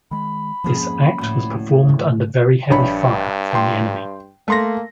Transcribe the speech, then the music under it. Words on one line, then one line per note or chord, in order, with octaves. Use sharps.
This act was performed under very heavy fire from the enemy.
D#3 G#3 B5
F2 G#2 F3 A#3 C#4 G#4
D2 A2
G#2 C#3 A3
A#1 G2 C#5 B5
G5 C6
A3 A#3 C6 A#6